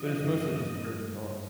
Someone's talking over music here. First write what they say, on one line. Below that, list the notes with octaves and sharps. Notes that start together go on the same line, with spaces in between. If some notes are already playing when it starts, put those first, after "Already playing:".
But it's mostly just prayers and thoughts.
Already playing: D3 F3 D#5
G2
G2